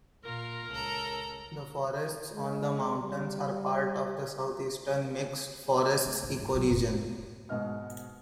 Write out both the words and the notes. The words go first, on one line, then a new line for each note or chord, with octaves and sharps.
The forests on the mountains are part of the Southeastern mixed forests ecoregion.
A#2 F4 A#4
C#2 A4 A#5
G#3
G3
A3
G2 A3
G1 D#3
A#2 F#3
F1 D#2
G#2 B2 D#5 F6